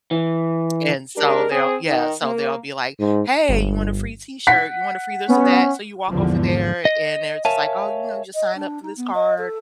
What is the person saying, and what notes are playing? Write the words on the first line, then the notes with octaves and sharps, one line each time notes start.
and so they'll yeah, so they'll be like, "Hey, you want a free t-shirt? You want a free this or that?" So you walk over there and they're just like, "Oh, you know, you just sign up for this card
E3
G#3 D4 G4 A#4
C4 G#4
D#3
A#3
G#2
G1
F#5 B6
B3 C#4
G#1 E2 D3 F3
D#5
A#4 C#5 E5 F5 G#5 A5
D#5
D4
D#4
B3
D#5
A4